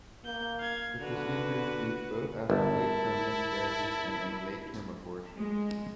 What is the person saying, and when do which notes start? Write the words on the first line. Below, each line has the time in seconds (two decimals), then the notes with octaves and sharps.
The procedure is used both after late-term miscarriages and in late-term abortions.
0.25 A#3 G6
0.59 F5 G#6
1.00 D3 F#4 B4
2.50 G1 E4 A#4 A5
5.36 G#3